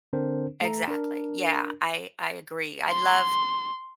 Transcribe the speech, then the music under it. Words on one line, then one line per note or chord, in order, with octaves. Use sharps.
Exactly. Yeah, I I agree. I love
D3 C4 D4 A#4 C5
A3 A4 A#5
D4 A#4
C6